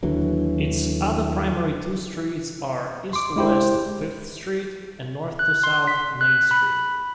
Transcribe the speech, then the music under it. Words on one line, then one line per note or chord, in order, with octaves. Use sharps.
Its other primary two streets are east-to-west Fifth Street and north-to-south Main Street.
D#2 D3 E3 F#3
C6 D6
G#3 E4 G4 C5
F#6
C6
B6
F#6
B5